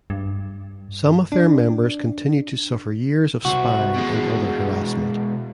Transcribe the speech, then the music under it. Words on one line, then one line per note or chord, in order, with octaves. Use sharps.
Some of their members continued to suffer years of spying and other harassment.
G2
D4
C2 C3 F#4
B2 G#3